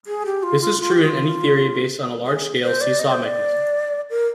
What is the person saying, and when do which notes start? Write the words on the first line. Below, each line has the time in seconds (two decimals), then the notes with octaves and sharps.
This is true in any theory based on a large-scale seesaw mechanism.
0.07 G#4
0.26 G4
0.43 F4
0.61 F4
0.80 F4
0.92 G4
1.05 F4
2.26 G#4
2.63 C5
2.81 D5
2.99 D#5
3.11 C5
3.24 D5
4.10 A#4